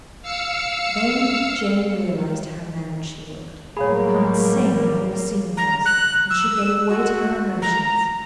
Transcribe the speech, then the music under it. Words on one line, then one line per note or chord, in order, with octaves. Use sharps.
Then Jane realised how mad she looked, how insane the whole scene was, and she gave way to her emotions.
F5 E6 C#7
A2 F#3 G3 A#3 G#4 C#5 F5 B5
A#5
F#6
E6
F#4
A#5